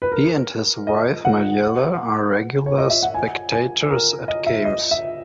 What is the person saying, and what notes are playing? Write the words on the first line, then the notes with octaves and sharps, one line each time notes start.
He and his wife Majella are regular spectators at games.
B4
A#4
D#5
F#5
C#5
D#5
E5
F#5
G#5
G#5
A#4
D#5
E5
D#5
E5